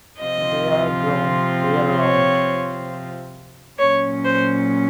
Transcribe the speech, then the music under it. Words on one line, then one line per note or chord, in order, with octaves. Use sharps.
They are grown year-round.
C3 F3 C4 F4 D#5
C#5
A#2 F#3 C#4 C#5
C5